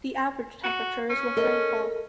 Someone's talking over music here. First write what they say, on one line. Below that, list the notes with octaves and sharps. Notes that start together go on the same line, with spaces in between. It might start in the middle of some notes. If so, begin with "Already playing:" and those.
The average temperature is with rainfall.
F#4
C#4
A4 A#4 D#5